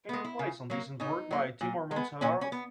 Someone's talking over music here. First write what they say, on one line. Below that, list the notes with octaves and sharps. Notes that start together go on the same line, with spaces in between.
Can you play some decent work by Timour Moutsouraev?
G#3 B3
E4
C#3
F#3 A#3
C#3 D#4
F#3 A#3
A#2
G#3
B3
A#2 C#4
C#4
B3